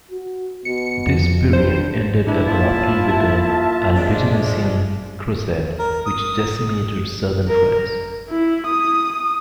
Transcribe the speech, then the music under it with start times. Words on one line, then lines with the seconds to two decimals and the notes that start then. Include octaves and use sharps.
This period ended abruptly with the Albigensian Crusade, which decimated southern France.
0.11 F#4
0.65 B2 C#7
1.07 F2
1.53 G2 C5
2.26 G#2 D4 E4
2.47 A#3 F4 E5 A5
3.96 F3 G#3 D4
5.79 A#4
6.06 D#6
7.48 A#4
8.30 E4
8.67 D#6